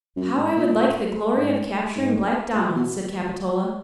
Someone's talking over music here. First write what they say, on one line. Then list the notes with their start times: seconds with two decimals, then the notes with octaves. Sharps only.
"How I would like the glory of capturing Black Donald!" said Capitola.
0.16 F#2
0.36 G#2
0.56 A#2
1.36 G#2
1.96 G#2
2.56 A#2
2.76 B2